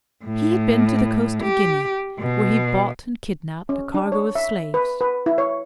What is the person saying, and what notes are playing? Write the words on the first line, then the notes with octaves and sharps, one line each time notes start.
He had been to the coast of Guinea, where he bought and kidnapped a cargo of slaves.
A2
G4
B2
C#4
D4
C#5
E5
B4
B4
E4
C#5